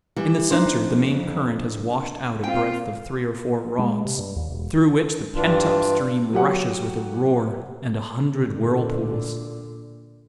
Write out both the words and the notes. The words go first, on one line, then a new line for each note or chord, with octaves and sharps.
In the centre, the main current has washed out a breadth of three or four rods, through which the pent-up stream rushes with a roar and a hundred whirlpools.
E3 G3
F2 D4 D#4 C5
C4 F4 G5
G#3
C3
G2
D#2
E1
G2 E3 D4 F4
F#3 G4 F#5
A#2 D3